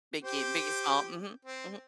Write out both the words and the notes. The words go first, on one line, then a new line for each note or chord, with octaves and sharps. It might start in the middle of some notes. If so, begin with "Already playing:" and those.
Biggie, Biggie Smalls, mhm, mhm.
G4 C5
C4